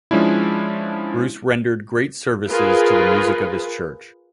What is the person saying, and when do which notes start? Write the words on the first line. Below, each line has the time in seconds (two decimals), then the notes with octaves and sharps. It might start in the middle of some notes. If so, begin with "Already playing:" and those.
Bruce rendered great services to the music of his church.
0.11 F3 G#3 C#4 D4 E4
2.49 F4 G#4 A#4 B4